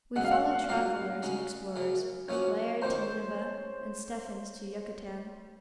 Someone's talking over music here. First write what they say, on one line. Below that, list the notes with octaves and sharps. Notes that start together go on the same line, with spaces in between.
We followed travelers and explorers,--Layard to Nineveh, and Stephens to Yucatan.
F#2 C#3 G#3 F#5
F5
F#5
A#2 F#3 A#3 F4 F5
C#3 G#3 D#4 F#4
F#2 C#3 F#3
F#2 F3 A#3 C#4 F#4 C#5
F2 D#3 A#3 C5